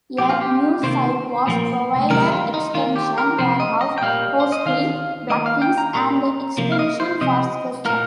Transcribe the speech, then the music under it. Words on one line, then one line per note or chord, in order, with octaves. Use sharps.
A new site was provided, Extension Warehouse, hosting plugins and extensions for Sketchup.
A#2 F3 C4 G4
F4
G4
C3 D#3 A#3 C5
A#2 F3 A#3
D#3 G3 C4 A#4
D#4
F4
D#4
D#3 A#3 F4
G4
A#4
C3 F3 C4 C5
D#5
D#5
G5
A#2 G3 A#3 F5
C5
D#5
D#3 C4 F5
D#3 A#3 D#5
F5
G5
A#5
A#2 G3 A#3 A#5
C3 F3 A#3
F5
D#5
C5
C3 F3 C4 D#5
A#2 A#3 A#4